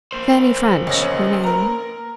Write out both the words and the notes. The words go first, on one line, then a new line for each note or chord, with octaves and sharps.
Fanny French, her name.
A#3 C5
C#2 C#5 A#6
A#4 A#5